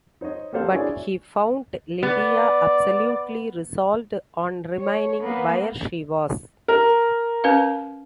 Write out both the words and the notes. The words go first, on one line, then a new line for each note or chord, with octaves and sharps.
But he found Lydia absolutely resolved on remaining where she was.
D#4 C5 C#5 D#5
A#3 G4 A4 C5 F5 A5
D4 E4 F#4 G#4 C#5 D5
B3 D5
C#5
A#3 B3
A#4
C#4 B4 F5